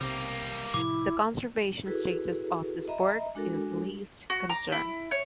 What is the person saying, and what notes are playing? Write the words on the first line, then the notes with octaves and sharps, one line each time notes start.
The conservation status of this bird is Least Concern.
B1 C3 G3 A#3
A2 C3 F3 E4 D6
E4 F#4 G#4 A4 B4
D#5 E5 A#5 B5
G#3 D4 F#4 A4 A#4
F#4
A#5 D6
E4
C#5